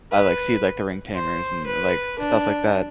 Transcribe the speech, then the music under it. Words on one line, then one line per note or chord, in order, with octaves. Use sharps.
I, like, see, like, the ring tamers and, like, stuff like that.
B4
C5
B4
D4